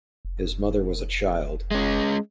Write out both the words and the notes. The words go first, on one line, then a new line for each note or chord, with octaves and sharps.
His mother was a child.
F1
G#3 C#4